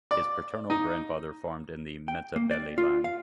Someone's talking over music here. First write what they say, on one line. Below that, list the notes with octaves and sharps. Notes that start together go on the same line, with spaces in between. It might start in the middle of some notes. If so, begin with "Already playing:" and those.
His paternal grandfather farmed in Matabeleland.
D5
D#4
G5
A#3
D5
F4
F5